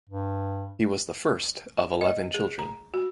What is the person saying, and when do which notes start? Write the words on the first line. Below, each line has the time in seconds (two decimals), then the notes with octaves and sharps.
He was the first of eleven children.
0.10 G2
2.01 D#5
2.34 G#4
2.59 A#5
2.94 F#4